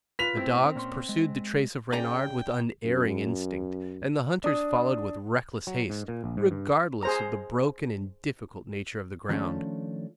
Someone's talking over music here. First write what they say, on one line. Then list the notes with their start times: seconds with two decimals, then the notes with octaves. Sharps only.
The dogs pursued the trace of Reynard with unerring instinct; and the hunters followed with reckless haste, regardless of the broken and difficult nature of the ground.
0.19 F4 B4 B6 F7
0.37 A2 C4 E4 G4
0.75 A#2 C#4 C6
1.09 G#3
1.92 C#3 D5 G5 G#5 A#5
2.85 F#2
4.44 D4 D#6
5.67 F#3
5.90 G#2
6.08 A#2
6.24 A#1
6.37 G#2
6.51 G2
7.03 G#4 C5 A#5
9.29 D#3 F3 G3 A3 C#4 D4